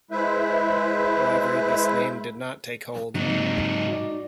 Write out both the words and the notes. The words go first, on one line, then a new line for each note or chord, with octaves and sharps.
However, this name did not take hold.
G#3 E4 B4 C5 E5
G#2 C#3 F#3 A#3 C4 D#4
F#4 D5